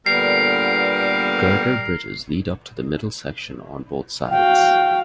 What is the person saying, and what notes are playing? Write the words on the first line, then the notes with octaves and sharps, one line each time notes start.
Girder bridges lead up to the middle section on both sides.
A#2 D3 G3 B3 A#4 C7
F#4 F5 G5